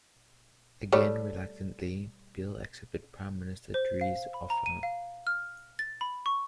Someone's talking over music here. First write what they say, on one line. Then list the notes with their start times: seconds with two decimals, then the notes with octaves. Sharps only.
Again reluctantly, Beel accepted Prime Minister Drees' offer.
0.93 G3 A3 C#5
3.74 C5
4.01 F5
4.34 B5
4.50 A#5
4.66 D#7
4.83 F5
5.27 F6
5.79 A6
6.01 B5
6.26 C#6